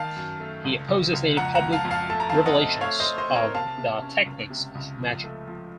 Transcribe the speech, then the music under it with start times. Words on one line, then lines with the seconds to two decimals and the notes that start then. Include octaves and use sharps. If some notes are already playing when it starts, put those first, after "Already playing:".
He opposes any public revelations of the techniques of magic.
Already playing: D#3 F5 A5
0.16 F#2
0.40 A3
0.64 C#2
0.89 C#2
1.13 C#2
1.37 F2 F#5 A#5
1.55 F#5 A#5
1.61 F2
1.73 F5 A5
1.85 F2
1.91 F5 A5
2.09 A3 A5
2.20 A#5
2.30 C4 F5 A5
2.46 D#5 F#5
2.57 A3
2.81 A3 C#5 F5
3.00 C5 D#5
3.06 A3
3.18 C5 D#5
3.30 C4
3.35 A#4 C#5
3.54 C3 F5 A5
3.78 C3
4.02 C#4
4.26 C#2
4.50 C3
4.75 C#2
4.99 F3
5.23 A3
5.48 F3